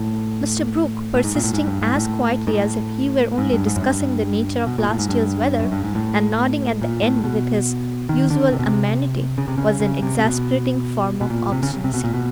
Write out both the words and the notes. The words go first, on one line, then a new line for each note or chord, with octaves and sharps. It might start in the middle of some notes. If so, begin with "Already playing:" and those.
Mr. Brooke, persisting as quietly as if he were only discussing the nature of last year's weather, and nodding at the end with his usual amenity, was an exasperating form of obstinacy.
Already playing: A2
A2
G#2
A#2
A2
G#2
G2
G#2
A2
G#2
A2
G#2
G2
G#2
F#2
G2
B2
A#2
A2
G#2
G2
F#2
G2
G#2
A2
A#2
A2
B2
D#3
D3
C3
B2
C3
C#3
C3
C#3
C#3
C3
C3
B2
B2
A#2
C3
C#3
C3
C3
B2
A#2
B2